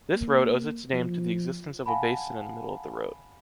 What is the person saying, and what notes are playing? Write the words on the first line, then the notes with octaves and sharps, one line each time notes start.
This road owes its name to the existence of a basin in the middle of the road.
A#3
F3
F5 F#5 G#5 A5 B5